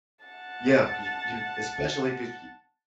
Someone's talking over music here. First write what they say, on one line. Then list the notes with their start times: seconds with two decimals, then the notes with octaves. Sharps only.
Yeah, c you you especially if it's y
0.25 F#5 A5